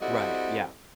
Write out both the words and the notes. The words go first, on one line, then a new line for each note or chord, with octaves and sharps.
Right, yeah.
G3 C4 E4 F#4 A4 D#5